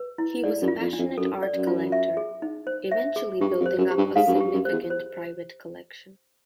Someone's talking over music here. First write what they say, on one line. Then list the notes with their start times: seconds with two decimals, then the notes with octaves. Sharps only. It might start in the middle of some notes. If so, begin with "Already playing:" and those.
He was a passionate art collector, eventually building up a significant private collection.
Already playing: B4
0.18 E4
0.44 G#2 D5
0.62 F#2
0.68 F4
0.81 F2
0.93 D4
0.99 F2
1.18 F#2 A4
1.43 D5
1.55 F#2
1.67 F4
1.92 E5
2.17 G#4
2.42 D#4
2.67 C5
2.91 E5
3.16 G#4
3.41 G2 G4
3.60 F2
3.66 C5
3.78 F#2
3.91 G4
3.97 G2
4.16 G#2 F5
4.27 F#2
4.34 G2
4.40 G4
4.53 F#2
4.65 C5
4.72 E2
4.90 C5